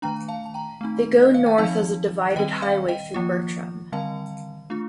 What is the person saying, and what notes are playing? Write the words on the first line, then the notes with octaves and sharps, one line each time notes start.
They go north as a divided highway through Bertram.
D#3 A3 D4 G5 A#5
F5 A5
A5
G5 A#5
A3 C4 D#4
D#5
F5
G5
F3 C4 D#4 F5 A5
D#3 G3 C4 D#5 G5
D5 F5
D#5 G5
F3 A#3 F4
D3 G3 C4 F5 A5
A3 D4 F4